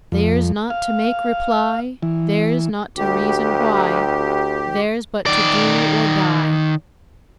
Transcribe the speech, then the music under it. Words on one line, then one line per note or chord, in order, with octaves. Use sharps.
"Theirs not to make reply, Theirs not to reason why, Theirs but to do or die."
F2
F5
E3
D2 G4
D#3 D5